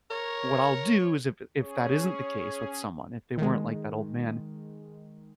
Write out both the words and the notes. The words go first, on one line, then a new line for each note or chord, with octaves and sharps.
what I'll do is if if that isn't the case with someone, if they weren't like that old man,
A#4 C#5
C#4 G#4 C#5
D#3 G#3